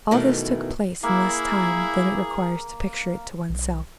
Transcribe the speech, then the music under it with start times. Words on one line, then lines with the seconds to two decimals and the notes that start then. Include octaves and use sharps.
All this took place in less time than it requires to picture it to one's self.
0.11 B2 D#3 E3 A3
1.03 A#3 E4 G#4
3.49 B1